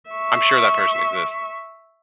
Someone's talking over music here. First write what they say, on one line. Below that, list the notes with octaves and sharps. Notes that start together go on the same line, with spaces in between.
I'm sure that person exists,
E5 C#6